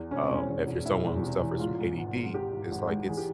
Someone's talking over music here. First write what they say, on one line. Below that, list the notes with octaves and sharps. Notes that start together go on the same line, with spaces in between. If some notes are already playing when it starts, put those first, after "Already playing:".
um, if you're someone who suffers from ADD, it's like it's
Already playing: E2
E1 C#4
C4
E1 C#4
E2
E1
E1 E4
E2
C3
E3
G#2 F4
G#2
G#1
G#1
G#1 G4
G#1
G#1
G#2
E3 G#4
G4